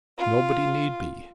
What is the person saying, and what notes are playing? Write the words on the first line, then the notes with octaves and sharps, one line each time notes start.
'Nobody need be.
F4